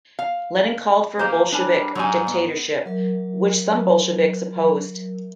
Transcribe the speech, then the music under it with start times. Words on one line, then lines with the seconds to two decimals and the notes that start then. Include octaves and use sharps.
Lenin called for a Bolshevik dictatorship, which some Bolsheviks opposed.
0.19 F5
1.19 A#3 G4 C5
1.52 G3 D4 A#4 G#5
1.95 G#2 F#3 G3 G#5
2.27 B3
2.86 F#3 A#4 E5